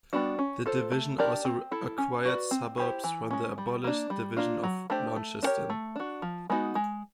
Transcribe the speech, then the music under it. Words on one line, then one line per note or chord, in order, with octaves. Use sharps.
The division also acquired suburbs from the abolished Division of Launceston.
G3 B3 D4 F#4
C#4
F4 A4 C5
A3
D4 G4 A#4 D5
C4
E4 A4
C#4
F#4 B4 D5
C4
E4 G4 C5
E3
G#3 C#4
G3
A#3 D4
G3
A#3 D4 F4
F#3
A3 D4 G4 C5
A3
D4 G4 A#4 C#5
A3
D4 F#4
F3
G#3 B3 D#4 F#4
G#3